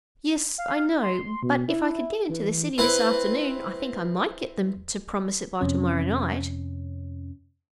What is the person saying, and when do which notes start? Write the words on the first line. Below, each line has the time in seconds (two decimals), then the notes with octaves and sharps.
"Yes, I know; but if I could get into the city this afternoon, I think I might get them to promise it by to-morrow night."
0.58 F5
1.03 C6
1.43 B2
1.68 E4
2.29 E3
2.78 C4 E4 B4
5.61 F2 C3 C#4